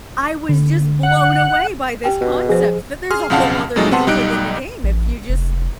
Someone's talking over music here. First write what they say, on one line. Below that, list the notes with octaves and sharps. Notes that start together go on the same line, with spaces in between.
I was just blown away by this concept that there's a whole other game within the game if you just
D3
F#5
G4 G5 G#5
B2
F3 G#4 C5
G#4 C6 F6
B1 F2 C#3 F5 F#5 A5
F2 A#2 F#3 G#3 A3 D#4
C3 B3 C4 F#5 A5 C6
B1 G3 D#4 F#6 D7
A1
F1